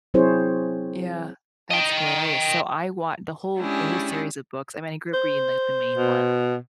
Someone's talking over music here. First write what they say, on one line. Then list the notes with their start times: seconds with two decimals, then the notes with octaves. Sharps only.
Yeah. That's hilarious. So, I wa the whole the whole series of books I mean, I grew up reading, like, the main one.
0.14 F#3 C4 E4 G#4 C5 C#5
1.71 D#5 G5
3.58 G#3 C#4 D4 E4 G4 G#4
5.14 C5
5.95 B2